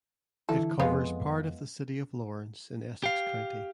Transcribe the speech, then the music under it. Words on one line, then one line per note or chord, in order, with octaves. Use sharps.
It covers part of the city of Lawrence in Essex County.
D3 E3 E4 A4
F2 G#3 B3 F4
G4 F5